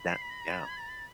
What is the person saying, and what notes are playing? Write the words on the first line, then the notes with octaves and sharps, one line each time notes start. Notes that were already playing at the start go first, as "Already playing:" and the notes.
That Yeah.
Already playing: B5
C7
B6
A#6
A6
G#6
A6